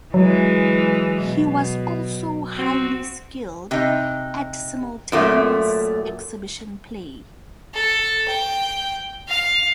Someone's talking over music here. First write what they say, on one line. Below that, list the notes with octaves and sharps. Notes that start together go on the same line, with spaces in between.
He was also highly skilled at simultaneous exhibition play.
E3 F#3 G#3
B2
C4 F#4
C3 D#4
F#2 A#2 A3
A4
G5
F5